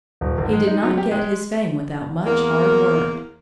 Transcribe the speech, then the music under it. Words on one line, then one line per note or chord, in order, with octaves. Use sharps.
He did not get his fame without much hard work.
D#1
G#1
G#3
D#4
F#3
G4
G#3
E2 A#3 A#4